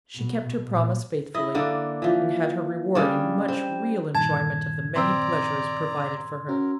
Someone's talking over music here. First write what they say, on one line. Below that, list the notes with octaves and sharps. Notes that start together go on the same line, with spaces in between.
She kept her promise faithfully, and had her reward in much real enjoyment of the many pleasures provided for her.
B2
A#2
E4 D#5
D3 A#3 D4
E3 F3
C#3 G3 D4
C4
G2 A#2 D#3 A5 G#6
C4 D5 A#5 C6 E6
C#4 F#4 A#4